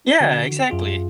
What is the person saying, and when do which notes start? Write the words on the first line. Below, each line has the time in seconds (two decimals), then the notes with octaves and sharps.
Yeah, exactly.
0.21 D3 F#4
0.70 F#2 F4 G#4